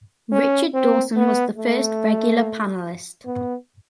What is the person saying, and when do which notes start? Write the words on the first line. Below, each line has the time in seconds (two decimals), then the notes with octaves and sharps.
Richard Dawson was the first regular panelist.
0.32 C#4
0.74 C4
1.16 B3
1.58 A3
3.26 B3